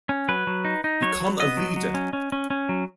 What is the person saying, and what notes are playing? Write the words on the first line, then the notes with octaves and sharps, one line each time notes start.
Become a leader!
C#4
F#3 B4
F#3
D#4
D#4
F#3 C#5
F#3
B3 D#5
F#3
F#3
C#4
C#4
C#4
C#4
F#3